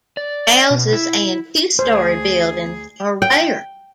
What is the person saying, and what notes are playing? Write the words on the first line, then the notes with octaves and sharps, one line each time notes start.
Houses and two-story buildings are rare.
D5
B2
E4
D2 G#4 C5
G5